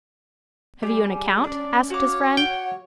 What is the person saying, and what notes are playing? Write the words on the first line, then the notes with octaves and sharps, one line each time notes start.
"Have you an account?" asked his friend.
G3 G4 G#4 G#5
C#4 D4 D5
F#4 C#5 F5 D6
F#5 G5